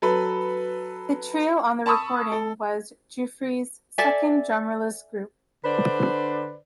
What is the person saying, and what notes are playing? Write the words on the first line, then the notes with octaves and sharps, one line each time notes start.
The trio on the recording was Giuffre's second drummerless group.
F#3 A4 B4
A5 B5 C#6 D#6 E6
A4
A4 D5 E5 G#5
D3 D4 B4 C5 D5